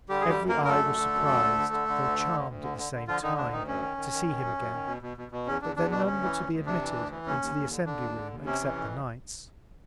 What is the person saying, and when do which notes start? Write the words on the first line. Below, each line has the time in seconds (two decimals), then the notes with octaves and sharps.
Every Eye was surpriz'd, tho' charm'd at the same Time to see him again: But then none were to be admitted into the Assembly-Room except the Knights.
0.09 D3 G3 G4
0.21 F#2 G#4
0.29 G3 G4
0.39 F#2
0.49 A#3 A#4
0.54 D3
0.65 A#4
0.68 F#2 A3 A4
0.83 D3
0.99 D3
1.14 F#2
1.29 D3
1.43 D2
1.59 D3
1.73 D3
1.88 D3
2.04 D2
2.18 D3
2.33 D2
2.48 D2
2.63 D3
2.78 D3
2.93 D3
3.08 D3 F3 F4
3.22 D3 D#3 D#4
3.37 D2 D4
3.52 D2 D#3 D#4
3.67 F#2 C#4
3.82 D#3
3.97 D#3
4.12 D#3
4.28 D#3
4.42 F#2
4.57 F#2
4.72 D#3
4.87 B2
5.02 B2
5.17 B2
5.32 B2
5.47 E2 C#4
5.62 E2 D4
5.76 E2 D4
5.92 B2 D4
6.07 D2 C#4
6.22 E3
6.37 D2
6.51 D2
6.66 C3 D4
6.81 E3
6.96 D2
7.11 E3
7.26 D#2 C#4
7.41 D#2
7.56 D#2
7.71 D3
7.86 D3 D4
8.01 D#2
8.16 D3
8.30 D#2
8.46 C3 C#4
8.60 E3
8.75 F2